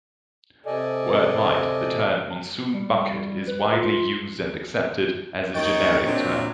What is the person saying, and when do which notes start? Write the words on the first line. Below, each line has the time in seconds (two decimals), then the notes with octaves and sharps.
Worldwide, the term "monsoon bucket" is widely used and accepted as a generic term.
0.66 C3 A4 D5 D#5 G#5
2.74 G3
3.47 B4
3.72 F4
5.54 D#2 D#5 G5 C#6 A6 D7
6.05 A#2 F#3 C4 D4